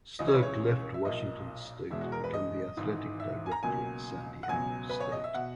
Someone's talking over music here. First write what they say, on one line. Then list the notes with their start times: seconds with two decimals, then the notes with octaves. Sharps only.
Sterk left Washington State to become the athletic director at San Diego State.
0.19 C#2 C#3 E3 D#5
0.28 C#5
0.34 B4
0.42 C#5
0.94 E5
1.05 B1 A#2 A#3 D#5
1.90 E1 E2 B2 G#3 E5
2.01 F#4
2.12 A#4
2.24 B4
2.33 D#5
2.77 G#1 G#2 E3
3.20 E5
3.46 G#5
3.52 A#5
3.63 C#2 B2 F#3 A#3 G#5
4.43 F#5
4.48 C#2 B2 F#3 B3 G#5
4.90 B4
5.00 C#5
5.12 D#5
5.24 E5
5.34 B2 F#5